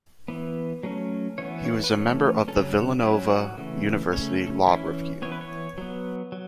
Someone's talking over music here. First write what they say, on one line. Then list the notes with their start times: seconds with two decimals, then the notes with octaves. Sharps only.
He was a member of the Villanova University Law Review.
0.28 E3 B3
0.83 F#3 A3 C#4
1.38 E3 B3 C#5
1.65 C#5
1.84 B4
1.93 E3 A3 C#4 C#5
2.48 C#3 F#3 C#4 A4
2.75 F#4
3.02 F#3 C#4 E4
3.30 F#4
3.58 C#3 E3 A3
4.13 C#3 A3 C#4 C#5
4.40 A4
4.67 E3 C#4 E4
5.22 E3 B3 C#5
5.32 B4
5.41 C#5
5.78 F#3 B3
6.32 F#3